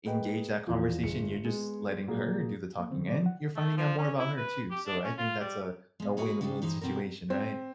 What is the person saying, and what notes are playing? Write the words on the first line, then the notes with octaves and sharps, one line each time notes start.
engage that conversation, you're just letting her do the talking, and you're finding out more about her too, so I think that's a a win-win situation, right?
A#3 G#4 B4 D#5 G5
E2 E3 F3
G1 G#4 C#7
G#3 B3
A#2 F#3 A#3 G#4
A#3
D3 E3 C4
D#3 F#3 G3 D5
F#5
A3
F3
C#4
E4
B4
G4
D4
C#4
F4
G3
B2 G#3
G#3 A#3 F#4 G#4 B4 C#5
C#3 G#3 D4 D#4 G4
G2 E3 D#4 C5
B2 C4 A4 A#4
C4